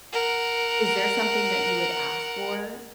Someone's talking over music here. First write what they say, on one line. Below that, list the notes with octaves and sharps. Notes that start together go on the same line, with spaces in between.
is there something that you would ask for,
A#4 F#5